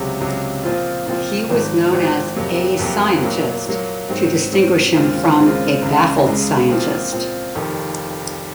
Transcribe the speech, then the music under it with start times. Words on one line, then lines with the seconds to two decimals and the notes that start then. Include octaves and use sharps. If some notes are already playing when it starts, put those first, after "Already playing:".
He was known as "A Scientist" to distinguish him from A Baffled Scientist.
Already playing: C#2 C3 F#3
0.20 C#2 C3 F#3
0.63 A#2 F3 C4 F4
1.06 A#2 F3 C4 F4
1.49 G#1 G#2 F3 C4
1.93 G#1 G#2 F3 C4
2.36 F2 C3 F#3 A#3
2.79 F2 C3 F#3 A#3
3.22 A#2 F#3 A#3
3.66 A#2 F#3 A#3
4.09 G#2 F#3 C4
4.52 G#2 F#3 C4
4.96 D#2 C#3 G#3 C4 F4
5.39 D#2 C#3 G#3 C4 F4
5.82 C#2 C#3 G#3
6.26 C#2 C#3 G#3
6.69 A#2 F3 C4 F4
7.12 A#2 F3 C4 F4
7.55 F1 F2 D#3